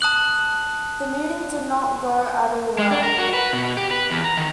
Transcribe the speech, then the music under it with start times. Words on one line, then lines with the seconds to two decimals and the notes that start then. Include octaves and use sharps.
The meeting did not go at all well.
0.01 A5 D#6 F#6 F#7
2.78 G#3
2.91 D4
3.03 A#4
3.18 F#4
3.34 B4
3.53 B2
3.77 G4
3.91 B4
4.11 E2
4.25 A#5
4.37 D#3